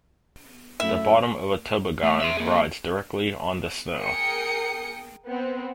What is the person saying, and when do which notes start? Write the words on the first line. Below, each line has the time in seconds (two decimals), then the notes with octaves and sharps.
The bottom of a toboggan rides directly on the snow.
0.80 F#2 A3 E4 E5
2.03 A3
2.20 E5 C6
2.37 A#3 G#4
3.98 G#4 A#4 G5 D#6 C#7
5.27 B3 C4